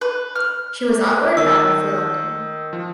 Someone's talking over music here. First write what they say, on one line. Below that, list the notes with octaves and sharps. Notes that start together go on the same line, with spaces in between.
She was outward bound for London.
B4
F6
D#3 E6
F3